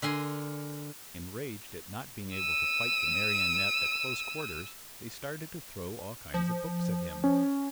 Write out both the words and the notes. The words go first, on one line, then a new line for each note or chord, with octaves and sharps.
Enraged at not being able to fight the Marionette at close quarters, they started to throw all kinds of books at him.
D3 A#4 G#5 C6
E6 D#7
F3
C#4